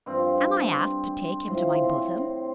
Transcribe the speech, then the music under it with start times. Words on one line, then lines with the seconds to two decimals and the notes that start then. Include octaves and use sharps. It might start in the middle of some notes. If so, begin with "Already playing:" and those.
Am I asked to take him to my bosom?
0.06 G2 F3 C4
1.48 A2 F3 C4
1.83 C4
2.19 C4